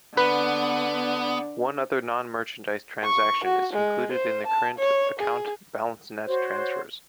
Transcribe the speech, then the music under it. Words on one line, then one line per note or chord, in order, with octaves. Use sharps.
One other nonmerchandise transaction is included in the current account balance-net transfers.
D3 B3 B4
C#6
F#4
G#3
C5
A5
C#5
G#4
F#4 C5 C#5